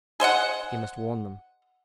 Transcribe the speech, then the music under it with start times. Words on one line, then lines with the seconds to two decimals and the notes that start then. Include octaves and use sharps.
He must warn them.
0.20 G#4 C5 D#5 F#5